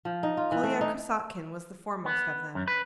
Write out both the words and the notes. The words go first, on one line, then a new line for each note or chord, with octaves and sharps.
Kolya Krassotkin was the foremost of them.
F3
D#4
F4
E3
A3
D#4
B3
F#2
B4